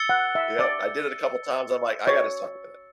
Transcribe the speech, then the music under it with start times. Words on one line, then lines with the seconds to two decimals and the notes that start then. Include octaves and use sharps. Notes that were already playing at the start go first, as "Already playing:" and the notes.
Yep. I did it a couple times. I'm like, "I gotta stop with it."
Already playing: E6 A6 C#7 G7
0.09 F#5
0.35 E5
0.59 D5
2.07 C#5